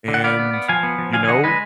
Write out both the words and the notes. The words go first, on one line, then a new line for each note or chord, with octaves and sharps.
and, you know
D3
F#5
B3 D5 F5
B3
B3
F3 F5 G#5
B3
F3
D3 F5 G#5
G#5
D3 D#5 F#5
G#3 B4 D#5